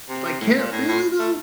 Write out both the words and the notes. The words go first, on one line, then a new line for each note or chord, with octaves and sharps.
like, can it really, though?
C3
C3
A2
A#2
A2
A2
A3